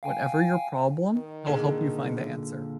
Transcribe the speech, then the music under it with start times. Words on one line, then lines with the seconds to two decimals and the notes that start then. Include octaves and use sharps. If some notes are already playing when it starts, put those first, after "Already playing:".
Whatever your problem, he'll help you find the answer.
0.03 F5 G5 G#5
1.14 D#3
1.47 A#2 D3 G#4